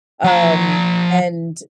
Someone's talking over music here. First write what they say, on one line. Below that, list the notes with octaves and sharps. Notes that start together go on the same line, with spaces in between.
um, and
F3 A#5